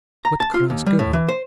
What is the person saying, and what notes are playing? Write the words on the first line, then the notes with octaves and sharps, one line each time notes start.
What cross girl!
A#5
A5
F4
D#2
G3
A2
E3
C5